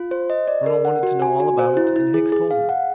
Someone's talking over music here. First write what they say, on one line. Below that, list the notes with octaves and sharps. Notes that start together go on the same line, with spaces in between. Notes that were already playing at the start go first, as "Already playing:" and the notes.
The Colonel wanted to know all about it, and Hicks told him.
Already playing: F4
C5
D#5
D5
A#4
F#5
F#4
G#5
F#4
C5
E4
E4
G#4
G#4
F5
F#5